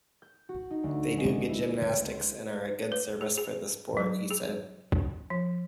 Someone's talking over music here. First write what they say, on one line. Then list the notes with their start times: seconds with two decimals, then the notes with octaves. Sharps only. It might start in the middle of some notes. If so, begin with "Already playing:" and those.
"They do good gymnastics and are a good service for the sport," he said.
0.22 G6
0.49 F#4
0.70 D#4
0.83 D2
1.18 G#3
1.34 D#7
1.49 E4
1.75 B4
1.90 C#2
2.11 C6
2.92 B4
3.21 G#4
3.38 G#4
3.97 F#3
4.31 G#4
5.30 F3